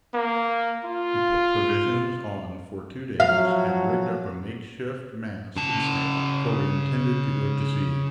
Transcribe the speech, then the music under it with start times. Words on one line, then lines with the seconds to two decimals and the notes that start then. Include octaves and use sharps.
We put provisions on for two days and rigged up a make-shift mast and sail, for we intended to go to sea.
0.14 A#3
0.85 F4
3.20 F3 F#3 F5
5.57 C#3 A5